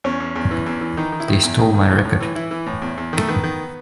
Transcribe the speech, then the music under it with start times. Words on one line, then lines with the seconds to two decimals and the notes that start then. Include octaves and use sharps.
They stole my record.
0.04 E2 C#4
0.20 E2
0.35 E2
0.51 E3
0.66 E2
0.81 E3
0.97 D#3 D#4
1.12 D#3
1.20 E4
1.28 D#3
1.43 E2
1.59 D#3
1.74 D#3
1.89 A2
2.05 A2
2.20 E3
2.35 E3 E4
2.51 E3
2.66 A2
2.82 E2
2.98 E2
3.13 D#3 A3
3.28 D#3 B3
3.44 D#3